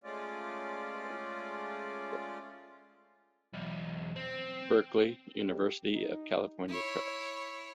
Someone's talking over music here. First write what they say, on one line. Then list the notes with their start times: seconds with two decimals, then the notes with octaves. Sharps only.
Berkeley: University of California Press.
0.04 G#3 A3 C#4 F4 D5
3.54 B1 E2
4.16 C4
5.37 G4
5.93 D#4
6.69 E4 C#5